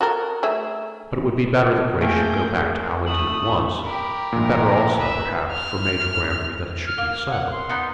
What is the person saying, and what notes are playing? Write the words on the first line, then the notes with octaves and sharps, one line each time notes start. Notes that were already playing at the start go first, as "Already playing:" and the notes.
But it would be better that Grace should go back to Allington at once; and better also, perhaps, for Major Grantly that it should be so.
F#4 A4 A#4
A3 G#4 E5
A3 A#3 G#4 G5 G6
A3 D#6 F#7
G4 A#4 B5
A#1 A#2 A#5
B4 E5
F6
F6
A#3
F#5
C6
B3 D#4